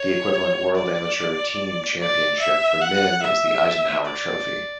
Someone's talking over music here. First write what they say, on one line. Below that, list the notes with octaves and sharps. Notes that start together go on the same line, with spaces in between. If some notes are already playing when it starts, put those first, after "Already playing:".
The equivalent "World Amateur Team Championship" for men is the Eisenhower Trophy.
Already playing: C#5
D5
D5
E5
F#5
E5
D5